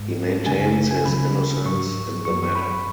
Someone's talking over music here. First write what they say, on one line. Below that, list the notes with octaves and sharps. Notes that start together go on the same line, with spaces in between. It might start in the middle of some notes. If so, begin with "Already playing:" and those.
He maintains his innocence in the matter.
Already playing: G#2 G#3
F#2 C#3 G#3 G#5
G#5
G#5
C#2 C#3 F#3 B5
G#2 F#3 C#6
F#2 F#3 C#6
C#6
B5